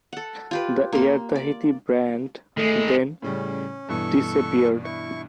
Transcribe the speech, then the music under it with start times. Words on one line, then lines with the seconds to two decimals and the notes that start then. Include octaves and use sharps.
The Air Tahiti brand then disappeared.
0.13 A4 F#5
0.51 F4 G4 B4
0.93 A#3 C6
1.36 D5
2.57 D#3 G#3 A3
3.22 A2 C#3 G3 C#4
3.89 G2 B2 E3 A4 C#6
4.84 E4 C#6